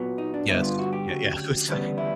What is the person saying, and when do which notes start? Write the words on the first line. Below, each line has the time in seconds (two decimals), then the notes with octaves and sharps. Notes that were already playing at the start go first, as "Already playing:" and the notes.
Yes. Yeah, yeah. I'm sorry
Already playing: A#2 F#3 B3
0.18 D#4
0.34 D4
0.48 G2 D3 G3 B3 E4
0.63 F4
0.79 F#4
0.93 G4
1.08 D2 C#3 F#3
1.68 D2 C#3 E3 G3 B3
1.98 E4